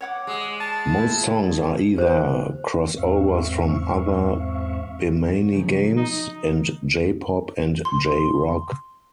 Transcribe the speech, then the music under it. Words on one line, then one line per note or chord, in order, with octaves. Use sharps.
Most songs are either crossovers from other Bemani games, and J-pop and J-Rock.
C#5 F#5 D6
G#3
A5
E4
C5
E2 G#2 C4 E5 F5 C#6
C#5
C#3 F3 F#3
D#4
C6